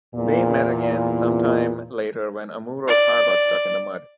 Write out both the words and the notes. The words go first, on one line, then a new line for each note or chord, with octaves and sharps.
They met again sometime later when Amuro's car got stuck in the mud.
E2 A#2
D5